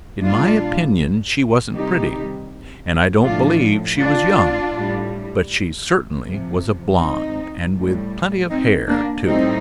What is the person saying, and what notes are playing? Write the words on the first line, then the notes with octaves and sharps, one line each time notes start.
"In my opinion she wasn't pretty, and I don't believe she was young, but she certainly was a blonde, and with plenty of hair too."
A#2 G3 D4 F4
C3 D#3 G3 D#4 G4
A2 F3 D4 F4
D4 F4
A2 G3
C3 F3
C4 D#4
A2 G3
C4 D#4
A#3 D4
A2 G3 C4 D#4